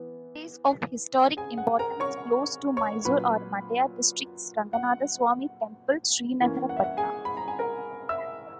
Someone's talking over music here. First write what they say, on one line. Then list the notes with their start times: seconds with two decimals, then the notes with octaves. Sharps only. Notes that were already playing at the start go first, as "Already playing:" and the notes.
Places of historic importance close to Mysore are Mandya District's Ranganathaswamy Temple, Srirangapatna.
Already playing: E3 B3
1.37 G#4 G#5
1.58 F#5
1.79 A#4 A#5
2.00 C#5 C#6
2.77 C#5 C#6
3.05 A#2 F#3 C#4 B4 B5
4.73 F#5
6.41 E3 A#3 C#4
6.69 F#5
6.77 E5
6.84 F#5
6.97 G#4 G#5
7.25 B5
7.37 A#5
7.48 G#5
7.59 A#4 A#5
8.09 E5 E6